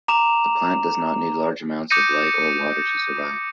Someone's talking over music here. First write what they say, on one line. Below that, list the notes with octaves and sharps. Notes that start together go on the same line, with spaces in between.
The plant does not need large amounts of light or water to survive.
A#5 D6 E7 F7
D6 D#6 G6 A#6 C#7 D#7